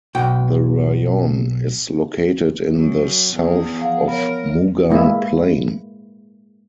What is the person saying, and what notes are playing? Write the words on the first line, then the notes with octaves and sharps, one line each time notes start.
The rayon is located in the south of Mugan plain.
B1 G5
F#2
E2 G#4
F3 F5 F#5
B3 A#4 C#5
G#3 A#3 E4